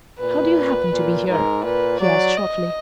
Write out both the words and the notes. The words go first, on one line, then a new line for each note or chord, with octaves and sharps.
"How do you happen to be here?" he asked shortly.
A#2 B4
A#2
G#2 A#4
A#2 B4
F#3 D5
D#5